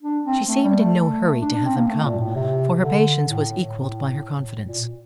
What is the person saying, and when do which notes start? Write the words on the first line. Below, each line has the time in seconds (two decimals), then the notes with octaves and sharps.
She seemed in no hurry to have them come, for her patience was equalled by her confidence.
0.02 D4
0.25 C4
0.48 A3
0.64 G3
0.79 A3
1.42 D4
1.53 D4
1.65 C4
1.76 A#3
1.88 A3
2.04 A#2
2.19 A2
2.35 C3
2.81 D3
3.28 A2
3.75 A2
4.67 A#2